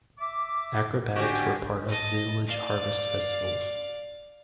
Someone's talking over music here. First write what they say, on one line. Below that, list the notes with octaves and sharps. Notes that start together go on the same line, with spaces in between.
Acrobatics were part of village harvest festivals.
E5 D6
D3 C#4 F#4 G4
D#5 A5
D5 F5